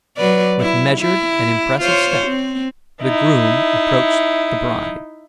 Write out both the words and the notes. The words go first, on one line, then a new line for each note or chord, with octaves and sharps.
With measured and impressive step the groom approached the bride.
F#3 B4 D5
E4
E4
F4 C5 C#5
C4
D#4 E4